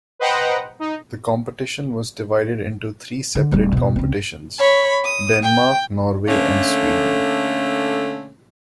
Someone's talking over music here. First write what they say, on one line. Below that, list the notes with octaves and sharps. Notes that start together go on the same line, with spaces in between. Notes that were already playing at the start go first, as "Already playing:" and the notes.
The competition was divided into three separate competitions: Denmark, Norway and Sweden.
B4 C5 D#5 F#5 G5 A#5
D#4
D3
D1 G3
E2 B2
C#2 C4
C#5 B5
D#6
G5
D3 A3 A#3 C#4